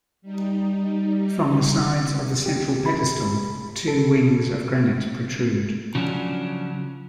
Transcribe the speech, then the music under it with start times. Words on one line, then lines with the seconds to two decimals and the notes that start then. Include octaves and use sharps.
From the sides of the central pedestal, two wings of granite protrude.
0.22 G3 D#4
2.46 G4
2.86 B5
3.88 A4
5.95 C#3 F3 F#3 C#4 D4